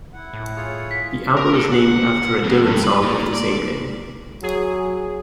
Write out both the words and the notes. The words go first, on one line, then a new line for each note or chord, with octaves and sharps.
The album is named after a Dylan song of the same name.
E4 F#5
A2
F4 G#4 C#5
B6
A#4
D3
F#5
F2
G2
B4
A#2
D5
F#3 G#4